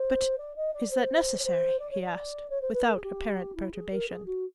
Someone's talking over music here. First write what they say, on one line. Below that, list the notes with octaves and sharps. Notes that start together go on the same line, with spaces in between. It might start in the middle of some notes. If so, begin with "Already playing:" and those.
"But is that necessary?" he asked, without apparent perturbation.
Already playing: C5
D5
D#5
D5
C5
C#5
C5
D5
C#5
D5
C#5
C5
B4
A#4
G#4
G4
E4
G#4
A#4
G#4
F#4